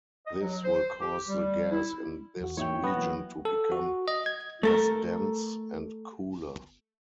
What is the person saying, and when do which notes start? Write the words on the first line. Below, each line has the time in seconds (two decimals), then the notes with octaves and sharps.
This will cause the gas in this region to become less dense, and cooler.
0.27 D#5
0.41 F#3
0.64 C5
1.01 G4
1.29 G3
1.71 E4
2.40 E2 F#4
2.57 E3 A#3 D#4 C#5 E5 G5
2.84 B3 D#6 A#6
2.96 E3 F#3 A#3
3.45 A4
3.72 F#4
4.08 D#5
4.26 G#6
4.63 A3 A4 A#4